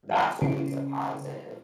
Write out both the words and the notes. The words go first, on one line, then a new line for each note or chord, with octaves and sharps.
that's always a positive.
C#3